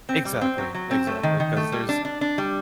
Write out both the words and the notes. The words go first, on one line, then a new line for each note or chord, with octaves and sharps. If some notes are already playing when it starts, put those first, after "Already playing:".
Exactly, exactly. 'Cause there's
C4
G3
C4
F#3
F#3
C4
A3
D#3
D#3
A3
G3
D4
D4
D4
G3